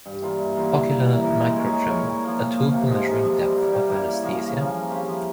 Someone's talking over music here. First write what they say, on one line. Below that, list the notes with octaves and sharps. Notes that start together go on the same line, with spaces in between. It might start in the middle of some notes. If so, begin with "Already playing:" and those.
Ocular microtremor: a tool for measuring depth of anaesthesia?
G2
E3 A#3 F4
G2
E3 A#3 F4
E3
A#3 E4 A#4
E3
A#3 E4 A#4
G#3
E4 A#4 C#5
G#3
E4 A#4 C#5
A#2
F3 A#3
A#2
F3 A#3
C3
F3 G#3
C3
F3 G#3
G3
A#3 E4
G3
A#3 E4
C#3
F3 A#3 C#4
C#3
F3 A#3 C#4
F3
C4 E4 G4
F3